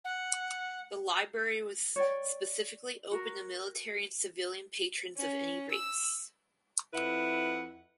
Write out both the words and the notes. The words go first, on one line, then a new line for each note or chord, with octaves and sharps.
The library was specifically open to military and civilian patrons of any race.
F#5
C#5 D5 G5
F#4 A#4
C#4
E6
F2 E4 B4 F#5